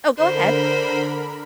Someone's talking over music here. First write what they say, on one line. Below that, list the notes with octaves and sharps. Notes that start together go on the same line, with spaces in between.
Oh, go ahead.
D3 A#4 C5 B5